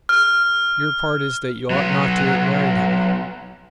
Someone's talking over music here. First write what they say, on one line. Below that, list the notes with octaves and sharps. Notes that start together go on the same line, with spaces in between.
Your part is that you ought not to have married him.
F6
F#3 B3